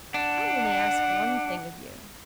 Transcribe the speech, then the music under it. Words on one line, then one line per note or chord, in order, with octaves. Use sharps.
I only ask one thing of you.
D4 F#5